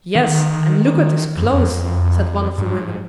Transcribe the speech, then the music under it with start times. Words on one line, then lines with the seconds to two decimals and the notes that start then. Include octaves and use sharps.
"Yes, and look at his clothes," said one of the women.
0.15 D#3
1.37 F2
1.44 G2
1.52 F2
2.58 G2
2.77 G#2